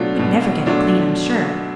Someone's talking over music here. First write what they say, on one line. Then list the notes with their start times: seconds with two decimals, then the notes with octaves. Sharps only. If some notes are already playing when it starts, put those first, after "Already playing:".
"We'd never get it clean, I'm sure."
Already playing: B2 F#3 A3 D4 F4
0.19 B2
0.66 F#3 A3 D4 F4